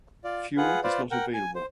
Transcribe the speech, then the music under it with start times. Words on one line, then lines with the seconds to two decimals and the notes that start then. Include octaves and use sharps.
Fuel is not available.
0.24 F4 D5
0.57 F4 G#4 B4 F#5
0.84 F4 B4 C5 D5
1.11 A#4 F#5 G5
1.34 G#5
1.55 C5